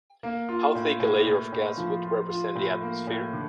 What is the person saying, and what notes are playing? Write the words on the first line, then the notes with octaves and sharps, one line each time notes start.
How thick a layer of gas would represent the atmosphere?
A#3
F4
A2
A2
A2
A2
F3
F4
F4
A2
A#3
A2
D3